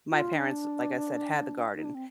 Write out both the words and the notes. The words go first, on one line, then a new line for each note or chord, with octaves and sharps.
my parents, like I said, had the garden.
F4
D4
D#4
D4
C4